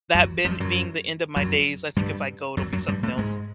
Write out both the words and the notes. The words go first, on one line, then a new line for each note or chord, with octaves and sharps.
that ben being the end of my days, I think if I go, it'll be something else
F#2 F#3
F2 F3
F#2 F#3
F#2 F#3
G2 G3
F#2 F#3
F#2 F#3
G2 G3
A2 A3
G#2 G#3